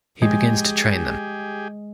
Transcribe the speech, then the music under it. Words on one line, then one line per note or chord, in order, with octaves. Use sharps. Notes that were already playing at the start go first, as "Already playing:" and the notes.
He begins to train them.
G#3 G4 G#4